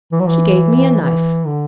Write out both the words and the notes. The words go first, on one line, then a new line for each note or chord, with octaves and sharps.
'She gave me a knife.'
E3
F#3
E3
E3
D3